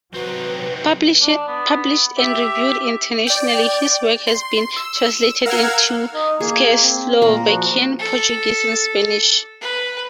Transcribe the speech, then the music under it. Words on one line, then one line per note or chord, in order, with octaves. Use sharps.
Published and reviewed internationally, his work has been translated into Czechoslovakian, Portuguese, and Spanish.
C3 F#3 C4 D#4 F#4 B4
D4
B3
G4 E5
D5 G5
C6
E6
A#4 F5 F#5 E6 F6 G#6
D#4
A#3 G#4
C4
A#2 A#3 A#4
F3 F#4
A4
B4